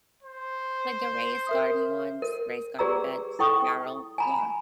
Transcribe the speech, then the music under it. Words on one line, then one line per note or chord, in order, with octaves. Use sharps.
Like the raised garden ones, raised garden beds, barrel? Yeah.
C5
A#4 E5 D#6
A#4
G4 G#4 B4 D5 A#5 E6
E4 A4 G5 C#6 D#6
G#5 A#5 B5